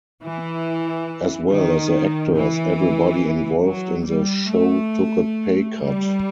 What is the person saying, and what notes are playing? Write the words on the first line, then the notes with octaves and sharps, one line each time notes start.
As well as the actors, everybody involved in the show took a pay cut.
E3
D#3
E3
F#3
G3
A3
G3